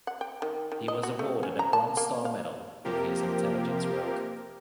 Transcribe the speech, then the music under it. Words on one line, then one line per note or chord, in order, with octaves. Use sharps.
He was awarded a Bronze Star Medal for his intelligence work.
F#5
G5
D#3
D#3
D#5
F#4
A3
C#4
A#5
A5
A#3
F5
C3 F3 A#3 G4 A#4